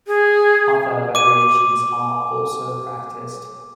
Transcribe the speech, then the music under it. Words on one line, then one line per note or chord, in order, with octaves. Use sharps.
Other variations are also practiced.
G#4
D6 D#7